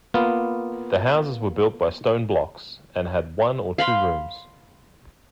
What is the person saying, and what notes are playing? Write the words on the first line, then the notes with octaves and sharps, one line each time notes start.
The houses were built by stone blocks and had one or two rooms.
A#3 B3 F4
F5 B5 C6